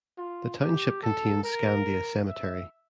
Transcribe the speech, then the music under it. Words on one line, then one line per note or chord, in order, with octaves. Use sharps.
The township contains Scandia Cemetery.
F4
G4
A4
A#4
E5